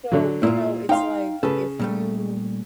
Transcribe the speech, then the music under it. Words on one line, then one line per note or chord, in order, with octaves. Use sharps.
So, you know, it's like if you
D3 F#3
A#2 E4 F4
D#4 F5 G5 C6
C#3 A4 B4
A#2 G3 A3